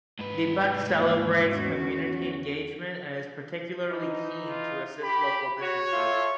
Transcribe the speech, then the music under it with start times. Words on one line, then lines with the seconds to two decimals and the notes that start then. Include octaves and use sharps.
Deepak celebrates community engagement and is particularly keen to assist local businesses.
0.19 G#2 B4
0.87 A3 A#3 F5
1.41 E2 C#4 F#4
3.90 E3 D#4
4.48 F4
5.02 G4 B5
5.62 F#4 C#5
5.93 F4 A4 E5